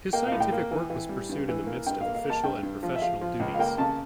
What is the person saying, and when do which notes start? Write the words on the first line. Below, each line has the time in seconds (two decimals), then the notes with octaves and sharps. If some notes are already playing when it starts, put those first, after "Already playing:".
His scientific work was pursued in the midst of official and professional duties.
0.13 A#3 G5
0.27 F5
0.32 A2
0.40 G5
0.52 A#3
0.71 E3
0.90 E3
1.09 G3
1.29 G2
1.48 E3
1.66 A#3
1.87 G2 G5
2.01 F5
2.06 A#3
2.15 F5
2.24 A#3
2.30 A5
2.44 G2 G5
2.63 G2
2.83 F3
2.96 E5
3.02 F3 F5
3.21 F3
3.40 C#2
3.54 F5
3.59 A#3 G5
3.78 C#3 A5